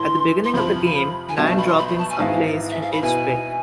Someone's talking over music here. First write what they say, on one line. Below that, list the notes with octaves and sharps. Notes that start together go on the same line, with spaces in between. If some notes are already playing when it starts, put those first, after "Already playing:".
At the beginning of the game, nine droppings are placed in each pit.
Already playing: A2 E3 C6
C6
F2 C3 F3 B5
G#5
B1 B2 A3 D4 A5
A5
B5
C6
B5
B5
A5
G#5
G#1 G#2 E3 B3 E4 F5
E5
F5
B5
B2 B3 E4 G#5